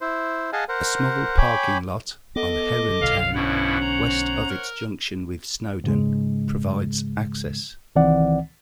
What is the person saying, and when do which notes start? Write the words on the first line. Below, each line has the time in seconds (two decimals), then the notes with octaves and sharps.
A small parking lot on Herrontown, west of its junction with Snowden, provides access.
0.01 E4 C5
0.53 G#4 D#5 F5 F#5 G#5 A5
0.69 A#4 C5 F#5
1.38 C#5 G5 G#5 B5 D6
2.36 B3 A4 D#5 D6
3.01 B1 D3 F4 F5
3.35 G2 B2 C#4 E4 C5 C#5 F#5
3.81 A#5
4.50 A#4
5.84 G#2 C#3 G#3
7.96 C2 D#3 E3 C4 D5 F#5